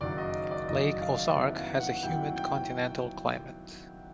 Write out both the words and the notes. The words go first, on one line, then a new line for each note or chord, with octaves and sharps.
Lake Ozark has a Humid continental climate.
F#1 F#2 D#3 F#3 D5
D#5
D5
F#1 F#2 D#3 F#3 D#5
F5
F#2 D#3 G3 B3 E4 E5
F5
F#5
F#2 D#3 G3 B3 E4 G5
G5